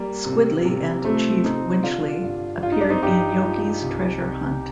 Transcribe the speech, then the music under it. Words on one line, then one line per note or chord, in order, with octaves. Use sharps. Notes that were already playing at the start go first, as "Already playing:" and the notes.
Squiddly and Chief Winchley appeared in "Yogi's Treasure Hunt".
Already playing: G3 A#3
C3
C3
F3 A3 C4
C3 C4 D#4
D3 D4 F4
G2
G2 F4
D#4
D4
C4 D#4
G2 D#4 G4
F3
C2
C2